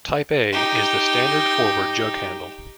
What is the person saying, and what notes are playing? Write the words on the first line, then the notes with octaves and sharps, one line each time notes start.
"Type A" is the standard forward jughandle.
D#4 G4